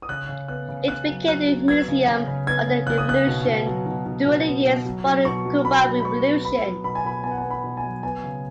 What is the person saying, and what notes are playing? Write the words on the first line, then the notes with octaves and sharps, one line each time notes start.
It became the Museum of the Revolution during the years following the Cuban Revolution.
D#6
C#3 F#6
C#3
B3 F#6
C#3
C#3 F#6
F#3
F#3 F#6
F#3
B3 G#6
C#3
C#3
C#3
B3 G#6
C#3
C#3 F#6
D#6
C#3 F#6
B2
B2
F#3
B2
B2
B2
B3
B2
F#3
F#3
B2 C#6
F#3
B3 B5
F#3
B5
B3 C#6
B3
B3 B5
F#3
B2 B5
G#5
B2 B5
B3 G#5
F#5
G#5
B3
B5
B2
G#5
F#3
B3 G#5
C#3